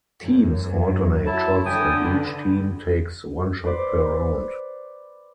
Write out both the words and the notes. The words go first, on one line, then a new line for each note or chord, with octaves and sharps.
Teams alternate shots and each team takes one shot per round.
F#2
F#3 E4 A5
D3 G5 G#5 D#6
B4
B4 C5 D5